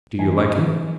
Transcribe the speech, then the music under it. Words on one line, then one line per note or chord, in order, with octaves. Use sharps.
"Do you like him?"
E3 G#5
G2
E3
E3